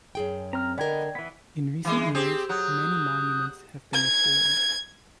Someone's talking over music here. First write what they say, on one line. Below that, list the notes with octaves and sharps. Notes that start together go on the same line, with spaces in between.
In recent years, many monuments have been restored.
F#2 G#4 G5
C4 C5 A#5 F6
D3 B3 A#4 D5 D#5 G5 G#6
E3 B3 B6
E3 G#3
C4 G4 G#4
F#3 D#6 F#6 G6
G#6